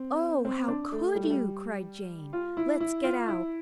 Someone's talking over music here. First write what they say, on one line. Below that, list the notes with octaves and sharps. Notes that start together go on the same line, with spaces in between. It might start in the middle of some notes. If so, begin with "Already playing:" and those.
'Oh, how COULD you!' cried Jane. 'Let's get out.'
Already playing: C4
C4
D4
A3
G3
A3
G3
F4
E4
E4
F4
E4